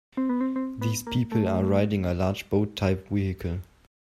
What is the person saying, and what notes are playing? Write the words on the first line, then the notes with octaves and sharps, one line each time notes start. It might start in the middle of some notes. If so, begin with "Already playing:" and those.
These people are riding a large boat type vehicle.
C4
B3
C4
C4
B3
A#3
A3